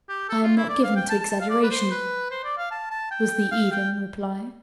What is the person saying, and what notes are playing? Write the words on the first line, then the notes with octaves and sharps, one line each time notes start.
"I am not given to exaggeration," was the even reply.
G4
A4
F4
E4
D5
F5
G5
A5
A5
A5
F5
D5
B4
C5
B4
C5
D5
F5
A5
A5
G5
F5
G5